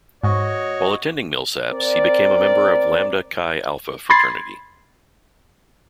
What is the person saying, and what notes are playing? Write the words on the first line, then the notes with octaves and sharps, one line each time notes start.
While attending Millsaps, he became a member of Lambda Chi Alpha Fraternity.
G#2 F#4 C#5 D#5
C4 A#4 D5
B5 C6 G#6 A6 C7